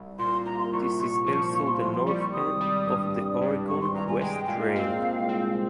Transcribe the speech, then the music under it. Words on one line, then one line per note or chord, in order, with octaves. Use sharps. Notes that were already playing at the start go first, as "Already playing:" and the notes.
This is also the north end of the Oregon Coast Trail.
Already playing: C2
A#2 C6
C2 A#5
C6
C2 C#6
C2 C#6
F3 C#6
C2 C#6
C6
C2 C6
C6
G3 C#6
G#1 D#6
G3
G2
G#1
G2
G#1 C#6
C6
G2 A#5
G#5
G#3 G5
A#2 F5
C4
C2
C4